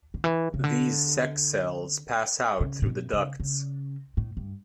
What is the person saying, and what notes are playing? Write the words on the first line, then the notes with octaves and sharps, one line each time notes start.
These sex cells pass out through the ducts.
D3
E3
C#3
D3
C#3
A2
B2
C#3
C#3
A2
G2